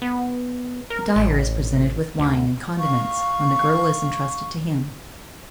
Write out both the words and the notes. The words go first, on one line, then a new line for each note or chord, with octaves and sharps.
The dyer is presented with wine and condiments when the girdle is entrusted to him.
B3
A#4
A1
D2
F5 C#6